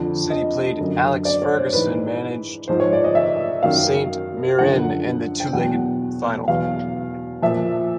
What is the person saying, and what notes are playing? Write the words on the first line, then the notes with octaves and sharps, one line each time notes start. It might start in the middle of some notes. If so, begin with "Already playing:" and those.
City played Alex Ferguson managed Saint Mirren in the two-legged final.
Already playing: F2 D3 F3
D#5
F#2 D3 F#3
D5
C#5
C5
G#2 E3 B4
G#2 F3 C5
C#5
D5
D#5
E5
F#2 D#3 F#3 F5
F#2 D3 F3 F#5
G5
E2 B2 F#3 F#5
E2 B2 F#3 F5
A#2 F3 E5